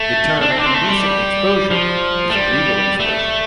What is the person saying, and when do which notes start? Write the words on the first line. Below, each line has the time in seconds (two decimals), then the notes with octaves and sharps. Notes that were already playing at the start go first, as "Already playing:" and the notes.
The term "indecent exposure" is a legal expression.
Already playing: A3
0.41 D4
0.50 C4
0.58 D4
0.66 C4
0.74 A3
0.90 G3
1.71 F3
2.30 A3
2.35 G3
3.00 A3